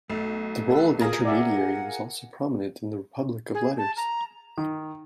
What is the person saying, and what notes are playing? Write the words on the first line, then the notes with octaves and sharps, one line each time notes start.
The role of intermediary was also prominent in the Republic of Letters.
B1 A3
A4 B4
F4 G#4 A#4 D#6
D5 E5 F#5
G#4
A5
A#5
D#3